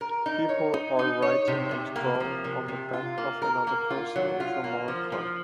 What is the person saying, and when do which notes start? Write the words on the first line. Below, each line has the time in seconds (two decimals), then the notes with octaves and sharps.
People are writing and drawing on the back of another person with a marker.
0.01 A#4
0.26 D#4
0.49 C#5
0.74 D#4
0.99 D#4
1.22 C#5
1.48 C3
1.71 C3
1.96 A#3
2.20 F3
2.44 C3
2.68 C3
2.93 F4
3.18 A#3
3.42 A#4
3.67 A#3
3.90 F4
4.16 F#3
4.40 F4
4.64 A#3
4.88 F3
5.12 F3